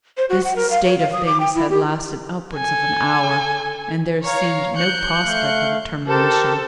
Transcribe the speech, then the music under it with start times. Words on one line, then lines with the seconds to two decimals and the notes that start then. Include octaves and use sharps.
This state of things had lasted upwards of an hour, and there seemed no prospect of a termination.
0.17 C5
0.29 F#4
0.44 F#5
0.56 A#4
0.70 F5
0.84 C#5
0.99 F5
1.13 D#6
1.26 D6
1.40 G5
1.55 E4
1.70 G4
2.55 A4 G#5
4.23 C#5 F5 A#5
4.76 F#6 G6 C#7
5.23 A3 F5
6.08 G4 A4 A#4 C5